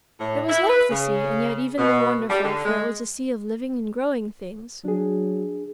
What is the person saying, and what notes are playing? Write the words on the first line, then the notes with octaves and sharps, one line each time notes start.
It was like the sea, and yet even more wonderful, for it was a sea of living and growing things.
A2
E4
B4
C#3
B2
G3
D3
G#3
F#3 D4 G#4